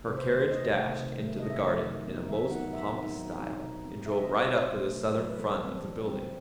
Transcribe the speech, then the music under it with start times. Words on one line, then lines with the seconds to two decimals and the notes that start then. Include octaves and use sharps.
Her carriage dashed into the garden in a most pompous style, and drove right up to the southern front of the building.
0.07 C3 B4
0.17 C5
0.28 D#3 A3
0.40 C5
0.50 C3 D#5
0.73 D#3 A3
0.96 C3
1.18 D#3 F#3 A3
1.40 C3 D#5
1.50 E5
1.59 D#3 F#3 A3 D#5
1.84 D#3
2.06 F#3 B3 D#4
2.28 D#3 E5
2.51 F#3 B3 D#4 F#5
2.73 F#3 E5
2.96 C4 D#4
3.17 F#3
3.39 C4 D#4
3.62 B2
3.84 G3 C4
4.06 B2 E5
4.18 D#5
4.29 G3 C4 C5
4.40 C5
4.51 B2
4.73 F#3 A3
4.96 B2
5.17 F#3 A3
5.30 B4
5.40 E3 A4
5.62 G3 C4
5.83 E3
6.07 G3 C4